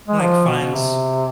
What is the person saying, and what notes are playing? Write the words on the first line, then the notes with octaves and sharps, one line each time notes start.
like finds
G#3
F3
B2
C3